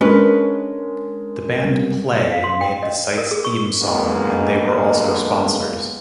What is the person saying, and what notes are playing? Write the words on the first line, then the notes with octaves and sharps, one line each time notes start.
The band Play made the site's theme song and they were also sponsors.
G#3 C#4 D4 A#4 B4
C3 G3 B3
F5
C6
G5
D#5
A#4
G#4
C#6
B1 G#2 D3 G#3 A#3 B3